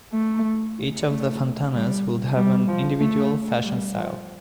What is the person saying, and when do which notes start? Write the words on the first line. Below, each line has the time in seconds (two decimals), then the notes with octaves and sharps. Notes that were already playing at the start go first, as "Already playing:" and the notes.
Each of the Fantanas would have an individual fashion style.
0.12 A3
1.09 A3
1.73 G3
2.36 G3
2.67 F3
3.00 A3
3.63 G3
3.96 F3